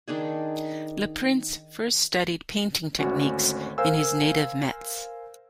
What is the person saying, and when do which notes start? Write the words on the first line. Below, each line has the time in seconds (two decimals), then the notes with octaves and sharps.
Le Prince first studied painting techniques in his native Metz.
0.08 D#3 D4 D#4 G#4
2.99 G#1 D2 C#4 F#4
3.78 A#4 C5 F5 G#5 E6